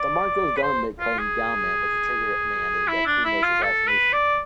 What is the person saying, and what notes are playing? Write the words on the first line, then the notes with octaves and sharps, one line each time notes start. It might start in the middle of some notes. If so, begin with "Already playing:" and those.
The Marcos government claimed Galman was the trigger man in Aquino's assassination.
Already playing: D5
B4
C5
F4
G#4
E4
D4
E4
F4
A4
B4
D5